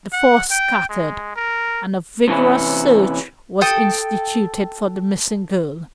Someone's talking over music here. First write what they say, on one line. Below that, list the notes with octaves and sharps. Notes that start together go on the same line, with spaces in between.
The four scattered, and a vigorous search was instituted for the missing girl.
F#5
G5
G#3
A#4
C3 E3 C#4 E4
A4 G5 D#6